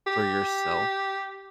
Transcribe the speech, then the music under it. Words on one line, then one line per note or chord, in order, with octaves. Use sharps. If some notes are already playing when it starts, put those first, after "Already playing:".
for yourself,
G4